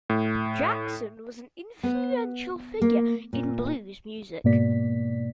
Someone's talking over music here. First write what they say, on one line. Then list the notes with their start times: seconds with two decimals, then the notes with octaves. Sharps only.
Jackson was an influential figure in blues music.
0.10 A2
1.83 B3
2.81 A#3
3.33 A#2
4.44 G#2 B2 A#3 D5 B6